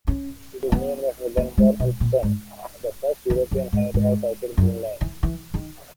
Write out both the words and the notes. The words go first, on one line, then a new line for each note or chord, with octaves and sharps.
It is named after Gunnbjorn Ulfsson, the first European to have sighted Greenland.
C#4
B3
A#3
G#3
B2
A#2
G#2
E2
F#2
G#2
G#2
F#2
E3
E3
D#3